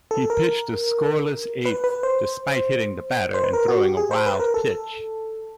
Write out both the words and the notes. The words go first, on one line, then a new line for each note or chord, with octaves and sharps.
He pitched a scoreless eighth despite hitting a batter and throwing a wild pitch.
A4
A#4
B4
B4
C5
C5
B4
A#4
F#4
G4
G#4
C5
B4
A#4
A4